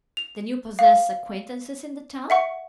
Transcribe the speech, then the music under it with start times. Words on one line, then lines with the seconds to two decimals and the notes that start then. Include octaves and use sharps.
"Then you possess acquaintances in the town?"
0.17 F7
0.79 F5
2.30 E5 F#5 C#6